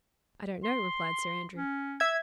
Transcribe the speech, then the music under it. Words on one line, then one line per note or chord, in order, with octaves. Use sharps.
"I don't know," replied Sir Andrew.
C6
C#4
E5 G#6